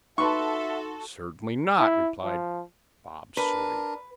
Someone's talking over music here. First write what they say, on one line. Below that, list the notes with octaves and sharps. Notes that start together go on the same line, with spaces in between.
'Certainly not,' replied Bob Sawyer.
D#4 F#4 A4 B4 E5 C6 C#6
E4
F3
D4 A#4 B4